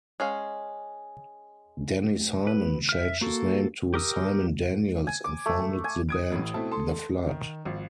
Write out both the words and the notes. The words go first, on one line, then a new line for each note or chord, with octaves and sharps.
Danny Simon changed his name to Simon Daniels and founded the band The Flood.
G#3 C#4 F5
B4
E5 F6
A#3 F#4 A4
G4 A#4 D#6 E6
G#5
D6
A3
G#5
D#6 G#6 D7
A1 A2
B2 A3 C4 E4 A5
A4 A5 C6
D#3
G#1 F3